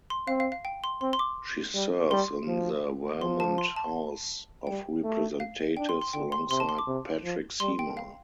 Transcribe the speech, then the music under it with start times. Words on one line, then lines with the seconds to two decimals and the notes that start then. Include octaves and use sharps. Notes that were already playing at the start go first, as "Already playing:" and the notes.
She serves in the Vermont House of Representatives alongside Patrick Seymour.
0.10 C6
0.27 C4 F5
0.40 F5
0.52 F5
0.65 G5
0.84 C6
1.01 C4 C6
1.13 C6
1.19 D6
1.74 G3
2.11 G3 C6
2.47 F3
3.21 F3 C6
3.40 A5
3.58 C6
3.76 A5
4.67 G3 G5
5.04 A3
5.40 F5
5.77 D4 G5
5.89 C6
6.02 C6
6.13 D3 G5
6.32 C6
6.50 C3 C6
6.60 A5
6.69 C6
6.78 D6
6.87 C3
7.24 F3
7.60 G3 C6
7.79 G5
7.97 F5